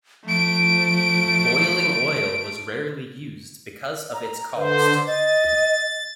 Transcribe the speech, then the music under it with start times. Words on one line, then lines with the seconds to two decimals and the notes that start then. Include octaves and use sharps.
Boiling oil was rarely used because of its cost.
0.25 F3 A3 D7
4.14 A#5
4.56 D3 B4 C5
5.07 D#5 A6